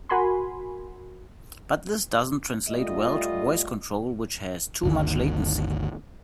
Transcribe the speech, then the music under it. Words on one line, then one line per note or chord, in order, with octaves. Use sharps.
But this doesn't translate well to voice control, which has too much latency.
F#4 A#4 G#5 B5 C6
G3 A3 F4 D#5
G1 D2 D#3